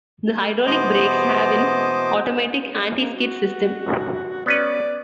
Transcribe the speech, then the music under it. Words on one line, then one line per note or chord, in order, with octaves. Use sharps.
The hydraulic brakes have an automatic anti-skid system.
B2 E3 B3 C5 D#5 D6
A#3
F#4
B3 C#4 B4 D5